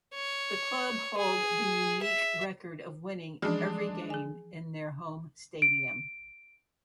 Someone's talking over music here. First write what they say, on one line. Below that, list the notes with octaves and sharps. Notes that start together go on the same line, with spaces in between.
The club hold the unique record of winning every game in their home stadium.
C#5
G#4
E5
E3 F3 G#3 C#4 D4
G#4 G#5
D7